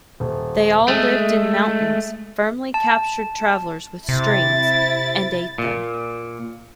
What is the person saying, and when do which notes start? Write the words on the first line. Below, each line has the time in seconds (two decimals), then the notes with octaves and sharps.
They all lived in mountains, firmly captured travelers with strings, and ate them.
0.20 D#1
0.88 G#3 A3
2.74 A5
4.09 C3 E4 A6
5.58 A#2